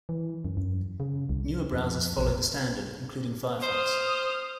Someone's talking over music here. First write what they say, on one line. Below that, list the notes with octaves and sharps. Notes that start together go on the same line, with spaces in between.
Newer browsers follow the standard, including Firefox.
E3
F#2
F#2
C#3
C2
F2
A#1
C5 D#6 F6